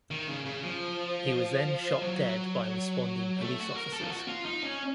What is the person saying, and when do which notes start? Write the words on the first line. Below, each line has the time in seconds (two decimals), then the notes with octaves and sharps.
He was then shot dead by responding police officers.
0.11 D#3
0.27 C#3
0.45 C#3
0.63 F3
2.01 F#3
3.41 A3
3.59 F#4
3.77 A#4
3.93 A4
4.02 F4
4.10 F#4
4.28 F4
4.45 D#4
4.63 C#4